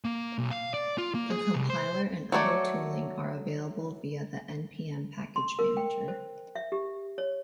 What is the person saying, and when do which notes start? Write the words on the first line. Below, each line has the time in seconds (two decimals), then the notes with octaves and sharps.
The compiler and other tooling are available via the npm package manager.
0.05 A#3
0.38 B1
0.51 F5
0.74 D5
0.98 F4
1.15 A#3
1.30 G#4
1.54 C2
1.70 C5
2.32 F#3 A3 C#5 D5
5.36 C6
5.59 A#4
5.77 G5
6.08 C5
6.55 E5
6.72 G4
7.18 C#5